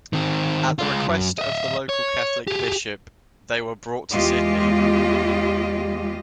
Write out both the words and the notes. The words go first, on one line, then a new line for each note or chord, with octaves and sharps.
At the request of the local Catholic bishop, they were brought to Sydney.
D#3 C4
G#3 F4
F#2
D#5 E5
C#5
G4 G#4
E2 G#3 F4 G4 D#5